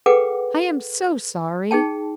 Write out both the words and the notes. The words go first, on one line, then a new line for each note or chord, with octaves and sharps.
"I am so sorry!"
G#4 A4 B4 F#5 G5 D6
D#4 G#4 G5 A5